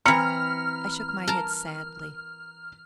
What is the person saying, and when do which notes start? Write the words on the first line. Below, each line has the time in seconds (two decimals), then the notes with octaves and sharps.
I shook my head sadly.
0.06 E3 C4 A#5 B5 F6 C#7
1.28 A#4 A5